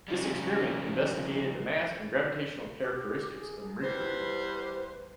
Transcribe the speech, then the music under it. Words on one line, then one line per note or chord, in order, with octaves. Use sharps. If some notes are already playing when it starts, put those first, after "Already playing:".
This experiment investigated the mass and gravitational characteristics of Mercury.
C#3 F3 G3
G4
G#4
E2 G3 B4 C5